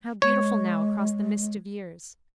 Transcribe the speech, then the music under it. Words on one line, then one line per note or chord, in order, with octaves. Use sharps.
How beautiful now across the mist of years!
G#3 C#5